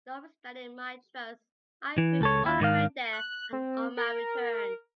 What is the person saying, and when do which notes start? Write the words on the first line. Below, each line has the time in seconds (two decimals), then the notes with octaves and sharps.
Notwithstanding my trust, I preached all the way there and on my return.
1.98 E3
2.21 C#2 A4 C#5
2.44 D#2 E4 F4
2.60 G#2 D#3 D5 F5
3.13 F#6
3.53 C4
3.97 A#4